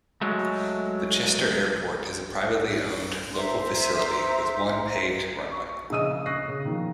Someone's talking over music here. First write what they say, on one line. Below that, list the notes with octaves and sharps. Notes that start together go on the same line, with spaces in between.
The Chester Airport is a privately owned local facility with one paved runway.
F#3 G#3 A3
C5 E5 A#5 C6
C#6
A#1 C#3 D#5 D#6 E6 D#7
C#6 D#6 F#6 A#6 C7
C#3
D#3 F3